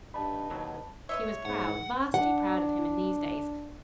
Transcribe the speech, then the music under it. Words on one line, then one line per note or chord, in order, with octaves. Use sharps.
She was proud, vastly proud of him in these days.
G2 D#4 A5 B5
D#2 B2 F#3 B3
B4 C#5 D#5 E5
G#2 F#5
D4 F#5